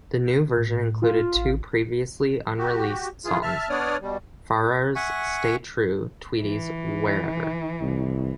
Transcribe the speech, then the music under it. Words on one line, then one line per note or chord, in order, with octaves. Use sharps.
The new version included two previously unreleased songs: Farrar's "Stay True", Tweedy's "Wherever".
A2
F4
A1
F#4 G4
E3 F4 G#4
E5 A5 F6
B3 D4 C#5 D5 D#6 F6
B2 G3
E5 F#5 G#5 C#6
E3
C2